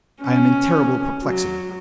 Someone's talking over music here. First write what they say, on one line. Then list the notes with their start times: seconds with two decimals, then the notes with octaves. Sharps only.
I am in terrible perplexity.
0.22 C#4
1.24 F#3